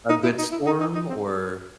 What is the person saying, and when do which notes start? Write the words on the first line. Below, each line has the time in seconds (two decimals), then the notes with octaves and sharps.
A good storm or
0.09 D#4
0.23 E4
0.38 D#4
0.52 E4
0.66 D#4
0.80 D#4
0.95 D#4
1.10 C4